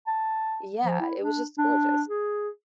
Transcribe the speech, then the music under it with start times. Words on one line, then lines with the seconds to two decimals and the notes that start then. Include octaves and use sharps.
yeah, it was just gorgeous.
0.07 A5
0.85 F3
1.00 E4
1.21 D4
1.58 D4
2.09 G#4